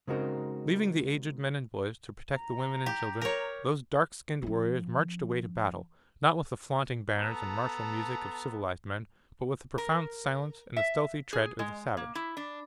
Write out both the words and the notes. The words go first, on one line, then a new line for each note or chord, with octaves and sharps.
Leaving the aged men and boys to protect the women and children, those dark-skinned warriors marched away to battle--not with the flaunting banners and martial music of civilised man, but with the profound silence and the stealthy tread of the savage.
C#3 G#3 C4 D#4 F#4 A#4
A#5
G4
A#4 C#5
F3 C#4
B3 A4 A5 A#5
A#4
E5
G#4
G#3
A#3
E4
D4